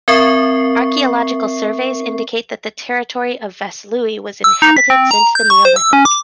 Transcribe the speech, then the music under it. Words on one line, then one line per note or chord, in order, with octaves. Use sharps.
Archaeological surveys indicate that the territory of Vaslui was inhabited since the Neolithic.
C4 A#4 E5 C#6 C7
E6
D#4
B6
C4
A#5
G6
C#6
C5
E6
C#4
D6